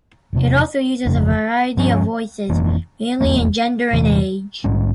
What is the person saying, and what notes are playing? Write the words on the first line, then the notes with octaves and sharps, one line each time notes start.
It also uses a variety of voices, mainly in gender and age.
E1 E2 C3
G1 F2 C#3
G2 F3 A#3 C#4
F1 F2 E3 A#3
F1 E2 E3 A#3
E2 C3 E3
A#1 G#2 G3 C#4